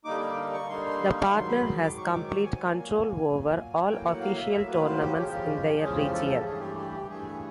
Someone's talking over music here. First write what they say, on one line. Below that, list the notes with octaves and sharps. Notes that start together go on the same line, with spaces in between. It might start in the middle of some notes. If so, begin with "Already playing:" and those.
The Partner has complete control over all official tournaments in their region.
D3 G3 A#3 D#4 D6
D6
C#6
D3 G3 A#3 D#4 C6
C6
C#6
G#2 D#3 F#3 C6
B5
C6
D6
G#2 D#3 F#3 C#6
D6
C#6
G#5
A#2 F#3 A#3
A#2 F#3 A#3
G#5
A2 F#3 A#3 G5
F#5
F5
E5
A2 F#3 A#3 E5
B4
C5
G4
E2 C#3 F3 G#3 C#4 G4
E2 C#3 F3 G#3 C#4 G#4
G4
A4
A4
G4
G2 E3 A3 G#4
G4
G4
G4
G2 E3 A3 G#4